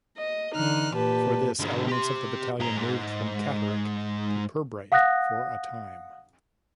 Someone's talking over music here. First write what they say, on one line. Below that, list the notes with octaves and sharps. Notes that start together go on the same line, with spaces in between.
For this, elements of the battalion moved from Catterick to Pirbright for a time.
D#5
D3 E3 D#4 F6 F#6
A#2 G4 B4 A5
G#2 D3
G4 C6
G#2 A#5
G#2
F5 F#5 D#6 F#6 A#6